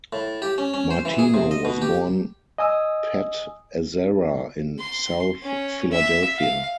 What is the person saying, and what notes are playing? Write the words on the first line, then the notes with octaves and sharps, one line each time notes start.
Martino was born Pat Azzara in South Philadelphia.
A2
G4
C#4
C#4
C5
E3
G#4
C3
D#5
B2
G4
D#5 G#5 D#6 E6
C6
C#4
E5
F5